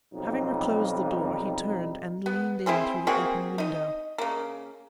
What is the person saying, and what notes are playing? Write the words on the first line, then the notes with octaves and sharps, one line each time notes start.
Having reclosed the door, he turned and leaned in through the open window.
B1 F2 G3 D#4
B3
C4 E4 G#4 C5
A#3 C4 F#4 G#4
D#4 D#5
C#3 A#3